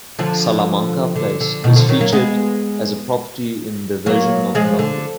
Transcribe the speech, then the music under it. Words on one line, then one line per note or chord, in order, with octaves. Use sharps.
Salamanca Place is featured as a property in the version of Monopoly.
D3 F3
D3
D3
B2 D#3
D3 F3
D#3 F#3
F#3 A#3
G#3 B3
F#3 A#3
F3 G#3
D3